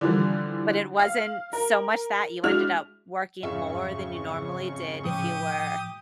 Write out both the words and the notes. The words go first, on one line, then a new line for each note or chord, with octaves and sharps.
but it wasn't so much that, you ended up working more than you normally did if you were
D3 E3 F3 G3
F5
A#4
G#3 D4 E4 F#4 F6 F7
F2 G#2 C#3 G#4 E5 F5 C#6
A2 F3 G4 D#6